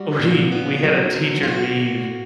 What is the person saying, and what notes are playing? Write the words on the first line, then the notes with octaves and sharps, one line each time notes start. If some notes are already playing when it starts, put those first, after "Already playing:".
We we had a teacher leave,
Already playing: G3 F#4
A#2
B3
F#3
D3
F4
D3 F#4
A#3